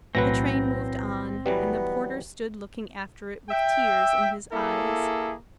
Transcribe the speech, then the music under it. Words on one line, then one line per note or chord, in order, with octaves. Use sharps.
The train moved on, and the porter stood looking after it with tears in his eyes.
B1 A2 E3 F#3 C4 B4 A#6
E3 F#3 G3 B3
E5 G5
A#3 E4 G#4 A4